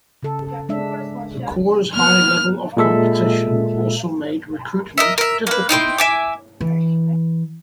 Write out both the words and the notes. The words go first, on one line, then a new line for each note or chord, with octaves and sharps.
The corps' high level of competition also made recruitment difficult.
C#3 A4
G#3 D4 E5
A#3 B3 F#5 F6
A#2 G#3 A4 E5
A#4 D#5 E5
A#4 E5
A#3 B4
D#4 E4 G5 C6
E5 G#5 D6
E3